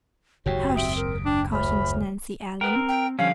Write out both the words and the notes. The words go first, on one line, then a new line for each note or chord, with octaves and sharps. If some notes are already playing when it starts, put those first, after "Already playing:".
"Hush!" cautioned Nancy Ellen.
F#1 D#2 G#2 F#4 G4 C#5 G5
C4 E5 D#6 D7
A#4
D4 G5
D2 A3 C#5 B5 F6
A#4 B4 F#5 G5
C4
G5
D3 F3 G3 C#4 F5